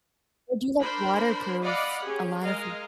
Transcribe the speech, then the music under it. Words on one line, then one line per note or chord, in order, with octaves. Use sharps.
Or do like waterproof, a lot of
D4 A#4 C5 B5
D5 D#5 F5 F#5 B5
C#4 G4 G#4
G#3 A#4 D#5 F5